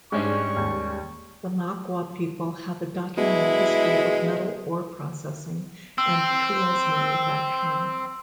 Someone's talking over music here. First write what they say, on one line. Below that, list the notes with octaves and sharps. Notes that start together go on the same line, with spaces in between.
The Makua people have a documented history of metal ore processing and tools manufacturing.
G#2 G3 G#3 C#4 D4 C#6
D#2
B2 G#3 E4
C4 E6